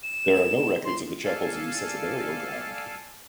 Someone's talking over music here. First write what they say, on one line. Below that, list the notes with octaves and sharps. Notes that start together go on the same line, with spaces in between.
There are no records of the chapel's use as a burial ground.
E7
C6
A4 D5 F5 G#5 A5